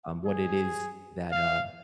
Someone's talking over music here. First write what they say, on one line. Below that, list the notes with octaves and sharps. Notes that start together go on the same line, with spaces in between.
um, what it is that, uh,
G#4
F5